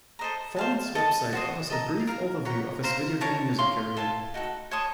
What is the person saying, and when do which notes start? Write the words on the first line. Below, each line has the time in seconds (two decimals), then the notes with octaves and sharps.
Follin's website offers a brief overview of his video game music career.
0.19 A4 C5 D#5 A#5
0.57 C5 F5 A5
0.95 A4 D#5 A5
1.33 F#4 C5 D#5
1.70 A4 D#5 A#5
2.07 A#4 F5 A#5
2.45 C#5 F#5 A#5
2.83 C5 F5 A#5
3.21 A#4 C#5 A5
3.59 C#5 F5 C6
3.97 F4 A4 C#5 A5
4.34 D#4 F#4 A4
4.71 C#5 A5 C6 D#6